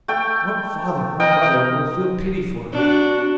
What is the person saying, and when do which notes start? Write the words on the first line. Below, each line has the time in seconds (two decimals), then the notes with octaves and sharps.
What father or mother will feel pity for her?
0.08 A3 G5
1.20 A#4 D#5 G5
2.73 D4 F#4